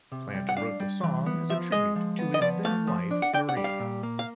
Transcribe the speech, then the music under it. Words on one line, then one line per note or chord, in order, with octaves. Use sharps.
Plant wrote the song as a tribute to his then-wife Maureen.
C3
G3
F#5
D4 F5
G3
E3
B3
F3 E5
G#3 D#5
F3
B3
D#5
F3 D5
A3 F5
F3
D4
F#5
D4 G5
F#5
G3
F5
A#2
A#3
F5